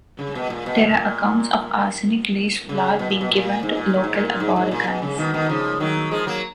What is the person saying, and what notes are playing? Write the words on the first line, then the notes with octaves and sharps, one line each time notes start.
There are accounts of arsenic laced flour being given to local aborigines.
C#3
B2
A#2
B2
A#2
A#2
C#3
B2
A#2
B2
A#2
G#2
A#2
A#2
G#2
A#2
A#2
G#2
G#2
A#2
B2
C#3
B2 D#3
B2 D#3
C#3 F3
D#3 F#3
F3 G#3
F#3 A#3